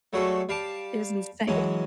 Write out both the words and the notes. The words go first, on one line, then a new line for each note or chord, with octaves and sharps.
It was insane.
F#3 G3 A3 F#4 G#4 A4
G3 F5 A5 D6
E3 F#3 G#3 C#4